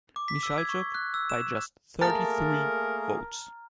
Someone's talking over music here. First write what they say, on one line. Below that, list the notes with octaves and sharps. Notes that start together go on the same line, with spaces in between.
Michalchuk by just thirty-three votes.
D6
B6
E6
G#6
C#6
F#6
E6
E7
A3 A#3 G#4 A#4 A5 A#5 F6 A6